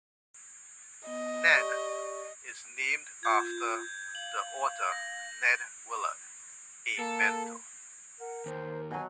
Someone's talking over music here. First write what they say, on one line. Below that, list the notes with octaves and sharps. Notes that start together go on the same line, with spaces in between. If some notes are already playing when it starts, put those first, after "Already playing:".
"Nedd" is named after the author Nedd Willard, a mentor.
B3 D#5
G4 D5 C#6
F4 G6 G#6
F5 F#7
A#6
A#3 A4
A#4 F#5
D#2 C5
B2 F#3 G#5